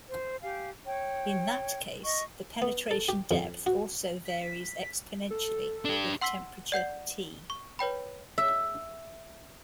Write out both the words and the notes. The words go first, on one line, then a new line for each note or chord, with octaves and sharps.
In that case, the penetration depth also varies exponentially with temperature "T".
C5
G4 F5 G#5
C#5 G5
D#5 C#6
B3
A4
G4
F2
F#4
B6
A4
D4 G4
F#5 C6 E6 B6 C7 G7
D5 F#5 G6 C7
C#6
B4 C#5 G5 B5
E5